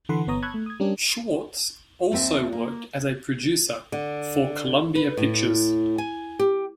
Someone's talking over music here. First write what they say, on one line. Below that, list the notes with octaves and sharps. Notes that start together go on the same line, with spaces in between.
Schwartz also worked as a producer, for Columbia Pictures.
D3 E3 A4 F#5 B5 C6
G1 B3 C#5 A#5 D#6
A5 B5 C#6 E6 F#6 G#6
A3
D#6 G#6
G3 C#4 D4 G4 A#4
D#2 A3 C4 E5
A#3
D3
B4
A2
G#5
G4